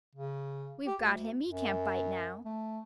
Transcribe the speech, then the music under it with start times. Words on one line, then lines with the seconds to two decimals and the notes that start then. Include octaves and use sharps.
"We've got him; he can't bite now."
0.15 C#3
0.87 G4
1.01 D2
1.48 F#2
2.45 A3